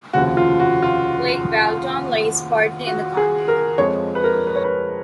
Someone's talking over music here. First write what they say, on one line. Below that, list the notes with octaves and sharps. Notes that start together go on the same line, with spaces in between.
Lake Balaton lies partly in the county.
F1 D#2 C#3 F3 F#4
F4
F#4
F4
F#4
G#4
A#4
F2 F3 G#3 C#5
B4
A#4
B4
C#5
B4